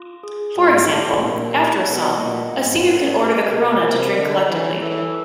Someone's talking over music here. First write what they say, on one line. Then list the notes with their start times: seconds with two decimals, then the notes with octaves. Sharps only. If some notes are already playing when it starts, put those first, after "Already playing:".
For example, after a song, a senior can order the corona to drink collectively.
Already playing: F4
0.23 G#4
0.57 G#2 G4
0.89 A2 G4
1.21 A#2 D4
1.55 G4
1.88 B2 F#5
2.20 A#2 D#5
2.53 G#2 F#5
2.86 A2 B4
3.19 G4
3.51 B2 A#4
3.84 C3 A#4
4.16 D3 D#5
4.49 E3 C#5
4.82 E3 A4